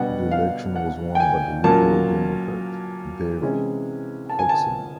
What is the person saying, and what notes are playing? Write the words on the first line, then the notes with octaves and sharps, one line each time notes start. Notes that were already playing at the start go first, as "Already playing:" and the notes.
The election was won by the Liberal Democrat, Dave Hodgson.
Already playing: B2 G3 B3 D4 F#5
F5
F#5
G5
G#5
A#2 F#3 A#3 C#4 A5
C3 E3 G#3 C#4 E4
A5
G#5
A5